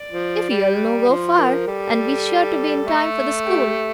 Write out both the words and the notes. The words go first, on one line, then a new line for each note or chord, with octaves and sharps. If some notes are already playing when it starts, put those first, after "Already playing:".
"If ye'll no go far, and be sure to be in time for the school."
Already playing: D5
F3
G3
F3 C5
A#4
G3 A4
A4
A3
G4